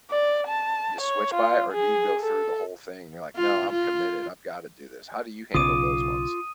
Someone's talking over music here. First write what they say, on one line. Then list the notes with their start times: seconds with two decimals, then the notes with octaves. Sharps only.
you switch by it or do you go through the whole thing and you're like, "No, I'm committed, I've gotta do this," how do you handle those ones?
0.10 D5
0.47 A5
1.01 C#5
1.34 F4
1.73 G#4
2.20 A4
3.36 F4
3.70 F4
5.54 B1 C#3 F4 D6 D#6 D#7